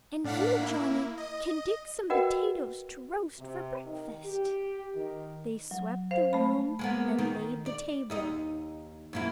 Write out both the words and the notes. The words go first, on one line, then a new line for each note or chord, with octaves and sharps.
"And you, Johnny, can dig some potatoes to roast for breakfast." They swept the room and laid the table.
A2 D4 F5 F#5 B6
A#3 E4
D#5
F#4 A#4 B4 D#5 F#5 G5
C3
D#3
G4
D#3
F#3
C5 F5
A3 B5
G#3 A#3 B3
D#3
D5
D#2 D#4 D#5
F#2 A#3 E4